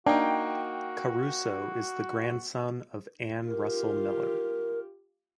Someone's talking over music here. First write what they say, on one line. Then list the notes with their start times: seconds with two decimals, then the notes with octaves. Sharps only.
Caruso is the grandson of Ann Russell Miller.
0.06 A#3 D4 D#4 F#4 G5
3.47 F4 G4 A#4